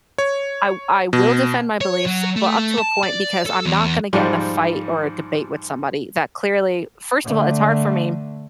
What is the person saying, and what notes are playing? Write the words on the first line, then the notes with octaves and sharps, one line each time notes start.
I I will defend my beliefs, but up to a point, because I'm not gonna get in a fight or a debate with somebody that clearly first of all, it's hard for me
C#5
B2
C#5
F#3
A3
A5
D5
A4
E2
G#2 F3 G3
D3 A3